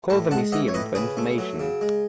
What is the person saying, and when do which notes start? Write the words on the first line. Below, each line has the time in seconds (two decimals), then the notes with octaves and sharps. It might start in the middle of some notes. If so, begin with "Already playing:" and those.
Call the museum for information.
0.10 A2 A5 C#6
0.31 G#3 F#5 A5
0.52 E3 D#5 F#5
0.68 C#5
0.74 A2 B4 D#5
0.95 C#3 G#4 B4
1.17 A3
1.38 F#3
1.60 C#3
1.81 G#3